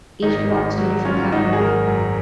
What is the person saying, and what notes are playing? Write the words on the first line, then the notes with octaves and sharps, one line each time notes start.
Each belongs to a different category.
G#1 D#4
G#1 D#4 F#4
F#3
F#3 C#4 F4
G#1 D#4 F#4
F#4
G#4
G#1 F#4 A#4
F#2